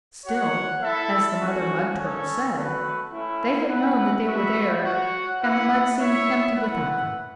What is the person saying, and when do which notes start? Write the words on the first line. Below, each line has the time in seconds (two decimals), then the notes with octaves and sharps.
Still, as the Mother Mud Turtle said, "They had known that they were there, and the mud seemed empty without them."
0.25 F#4 C#5 F#5
0.81 E4 A4 E5
1.40 A3 C#4 F#4
1.97 C#4 A4 C#5
2.54 A3 F#4 B4
3.12 A3 C#4 E4
3.68 E4 B4 F#5
4.26 B3 F#4 B4 E5
4.84 F#4 C#5 F#5
5.41 E4 B4 F#5
5.99 E4 C#5 E5
6.56 E4 B4 F#5